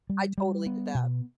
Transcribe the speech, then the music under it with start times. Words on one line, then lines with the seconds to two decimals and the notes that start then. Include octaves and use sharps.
I totally get that.
0.10 G3
0.38 G3
0.66 B3
0.94 B2